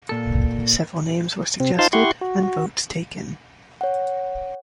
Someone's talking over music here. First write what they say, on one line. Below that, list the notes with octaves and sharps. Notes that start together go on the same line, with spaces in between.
Several names were suggested and votes taken.
A#2 A4
C3 C4
D#4 F4 C5 F5 A5 C6
E4 G4 F#5 C6 C#6
F#4
F#4
C#5 F#5